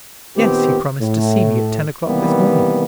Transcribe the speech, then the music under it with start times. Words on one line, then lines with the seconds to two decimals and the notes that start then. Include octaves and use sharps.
"Yes, he promised to see me at ten o'clock this morning."
0.36 A#2 D#3 B3 C4 G4
1.00 A2
2.07 C3 D#3 E3 G3 A#3 B3